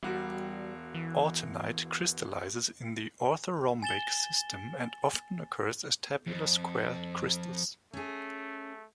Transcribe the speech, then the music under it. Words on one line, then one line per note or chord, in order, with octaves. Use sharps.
Autunite crystallizes in the orthorhombic system and often occurs as tabular square crystals.
E1 G3 F#4
E3
G#5 A6 E7 G7
F2
A3 C#4 G#4